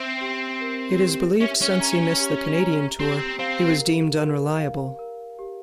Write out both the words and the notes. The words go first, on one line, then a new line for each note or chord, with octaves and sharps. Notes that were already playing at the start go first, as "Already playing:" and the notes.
It is believed since he missed the Canadian tour, he was deemed unreliable.
Already playing: C4 E5
G4
A#4
G4
C#4 E5
C#4
A#5
G4
A#5
C4 G4
C4 F5
A#4
A#4
F5
A#4
G4